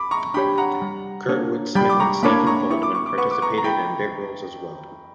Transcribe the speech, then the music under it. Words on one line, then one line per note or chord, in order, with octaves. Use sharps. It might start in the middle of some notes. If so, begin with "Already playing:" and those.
Kurtwood Smith and Stephen Baldwin participated in bit roles as well.
Already playing: B5 D6
A#5 C#6
D4 G4 C#5 G5 B5
F#5 A#5
G3
A#3 D4 A#4 C#5
G3 G5 B5
D6
A#5 C#6
A#3 D4 A#4 C#5 B5 D6
A#5 C#6
E4 C#6
D6
C#6
D6
B4 F#5 C#6
D6
A#5 C#6
A#5
E4 G5 B5